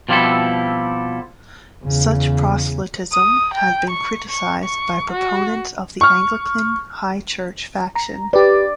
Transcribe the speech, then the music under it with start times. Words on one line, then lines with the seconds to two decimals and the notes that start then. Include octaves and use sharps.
Such proselytism had been criticised by proponents of the Anglican High Church faction.
0.09 B2 F3 G3 C4 E4 A4
1.84 E2 C#3
3.13 D#6
3.54 G5
3.90 C#6
4.30 C#6
4.64 C#6
5.12 F#4
6.01 C#6 F6
7.95 A#5
8.33 G4 B4 D5